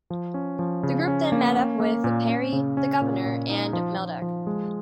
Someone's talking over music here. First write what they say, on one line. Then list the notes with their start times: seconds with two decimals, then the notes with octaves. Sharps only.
The group then meet up with Peri, the Governor, and Meldak.
0.10 F3
0.34 C#4
0.59 F3
0.83 C#3
1.08 C#4
1.32 A#3
1.56 C#4
1.80 A#3
2.04 A#2
2.29 C#4
2.53 C#3
2.77 C#4
3.02 A#2
3.26 A#2
3.50 D#4
3.73 F3
3.98 F3
4.22 F3
4.47 G#3